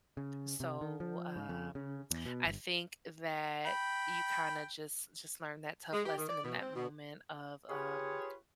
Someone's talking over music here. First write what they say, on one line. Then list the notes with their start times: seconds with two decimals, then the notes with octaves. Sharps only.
So, um, I think that you kinda just just learn that tough lesson in that moment of, um,
0.17 C#3
0.60 C3
0.81 D#3
1.00 F3
1.36 G#2
1.49 F2
1.75 C#3
2.11 E2
2.26 B2
2.46 G1
3.66 G5 B5
5.92 G#3
6.06 G4
6.17 D#3
6.29 D5
6.44 B2
6.61 C4
6.75 B2
7.69 F4 G4 G#4 B4 C#5